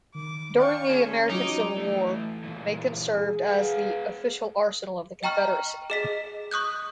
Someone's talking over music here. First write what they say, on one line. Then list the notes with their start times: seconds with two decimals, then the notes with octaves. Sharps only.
During the American Civil War, Macon served as the official arsenal of the Confederacy.
0.15 D#3 D6
0.58 D5 F5 G5 C#6
0.89 C#4 G#4 G#5
1.30 F#3 D#4 F4 F#4 D6
1.78 E3 A3
2.44 A#2 E3
3.09 G#4
3.46 B4 F5 F#5
5.23 D#5 G5 A#5 C#6 F6
5.90 G#4 D#5 B6
6.51 C#6 D#6 F#6 G6